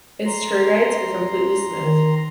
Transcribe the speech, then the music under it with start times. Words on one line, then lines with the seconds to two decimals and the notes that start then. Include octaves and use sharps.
Its tergites are completely smooth.
0.25 A#5 C6
1.79 D#3